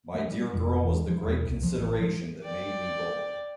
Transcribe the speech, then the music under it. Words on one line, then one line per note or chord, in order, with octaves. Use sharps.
My dear girl was the great consideration that made me bold.
A3
G3
F1
E2
F3
E1
C2
F3
A1
F3
D5 G5